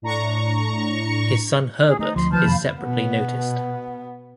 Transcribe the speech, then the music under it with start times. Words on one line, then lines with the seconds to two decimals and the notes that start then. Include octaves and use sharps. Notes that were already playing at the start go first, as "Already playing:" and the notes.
His son Herbert is separately noticed.
0.02 A2 D4 A#5 C#6
1.88 G#4
1.99 A3 D#4
2.16 D2 F3 C6
2.32 D#3 F3 B4 A5 F6 G6
2.45 F2 C3 A#3 F5 B5
2.81 B2 B3